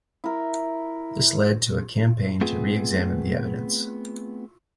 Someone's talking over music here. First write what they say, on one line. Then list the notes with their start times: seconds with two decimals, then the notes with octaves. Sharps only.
This led to a campaign to re-examine the evidence.
0.24 E4 A#4
2.41 A3 B3 C4 F4 G#4